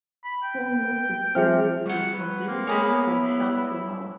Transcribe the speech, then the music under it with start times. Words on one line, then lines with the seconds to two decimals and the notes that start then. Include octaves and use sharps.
Two music videos were completed for "Shut Your Mouth".
0.24 B5
0.43 G5
1.35 F3 C4 G#4 E5 F6
1.86 G3 F#4 F#5
2.14 B4
2.48 A#3 C4
2.67 G#4 C#5 A#5 B5
2.83 B3
3.07 E4